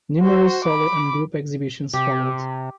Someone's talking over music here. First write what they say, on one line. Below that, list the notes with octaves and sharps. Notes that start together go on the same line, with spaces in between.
Numerous solo and group exhibitions followed.
F#4 C5
B5 D6
C3 G4